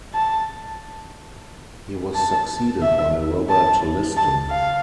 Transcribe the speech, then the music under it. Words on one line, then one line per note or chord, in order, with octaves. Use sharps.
He was succeeded by Robert Liston.
A5
A5
E5
A5
A5
F5